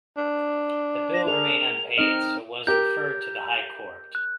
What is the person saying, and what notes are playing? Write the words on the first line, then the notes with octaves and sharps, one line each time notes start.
The bill remained unpaid so was referred to the high court.
D4
A#6
G#4 A#4 F7
C4 D#4 D#5 F6
G4 A#4 G6
F#6